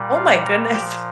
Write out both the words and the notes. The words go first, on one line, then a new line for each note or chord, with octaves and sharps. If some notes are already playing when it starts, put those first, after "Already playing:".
Oh my goodness.
Already playing: A#2 G3
F4 F5
A#4 A#5
A#2 F3 G4 G5